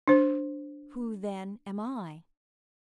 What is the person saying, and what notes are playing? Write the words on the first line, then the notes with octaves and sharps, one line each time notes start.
"Who, then, am I?"
D4 C5